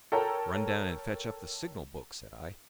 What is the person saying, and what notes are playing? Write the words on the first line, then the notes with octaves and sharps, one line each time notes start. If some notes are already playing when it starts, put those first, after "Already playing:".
"Run down and fetch up the signal-book," said I.
A4 A#4 C#5 G5 A5 A#5